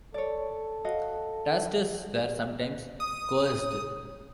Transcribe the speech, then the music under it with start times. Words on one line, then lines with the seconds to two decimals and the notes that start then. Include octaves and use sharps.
Tasters were sometimes coerced.
0.14 A4 C#5 D5
0.85 F#4 D#5 F5
3.00 D#6